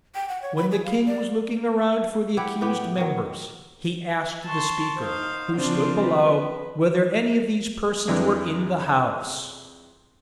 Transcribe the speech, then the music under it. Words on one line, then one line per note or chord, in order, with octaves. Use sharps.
When the king was looking around for the accused members, he asked the speaker, who stood below, whether any of these persons were in the house.
G5
F#5
C#5
B5
G#4
F5
D5
E4 G4 F#5
A2 B3 G4 G5
D#3 F#3
A5 C6 C#6
D#4 C5 F5
C#3 F3 C4 D4 F4 C5
B4
F2 E3 G#3 D4